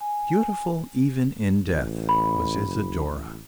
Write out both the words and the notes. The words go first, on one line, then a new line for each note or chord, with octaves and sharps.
Beautiful, even in death, was Isidora.
G#5
A1
B5
F#1
A1